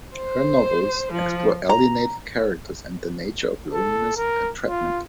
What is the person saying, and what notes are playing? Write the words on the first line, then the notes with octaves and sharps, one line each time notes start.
Her novels explore alienated characters and the nature of loneliness and entrapment.
C5
F3
A#5
A4
A#4
F4